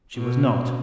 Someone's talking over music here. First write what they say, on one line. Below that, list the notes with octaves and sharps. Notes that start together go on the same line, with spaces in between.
She was not.
B2